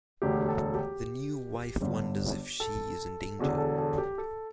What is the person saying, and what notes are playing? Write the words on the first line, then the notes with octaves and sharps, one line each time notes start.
The new wife wonders if she is in danger.
E1 D2 D3 G4
A4
G4
G1 G2 D3
A4
E1 E2 D3
A4
A4
G4
A4